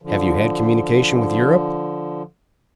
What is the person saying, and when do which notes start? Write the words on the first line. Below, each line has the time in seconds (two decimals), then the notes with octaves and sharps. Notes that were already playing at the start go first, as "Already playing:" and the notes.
Have you had communications with Europe?
0.02 D3 F3